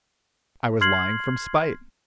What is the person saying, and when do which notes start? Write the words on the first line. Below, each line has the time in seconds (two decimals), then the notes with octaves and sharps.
I was lying from spite.
0.81 C6 F6 G#6 C7 F#7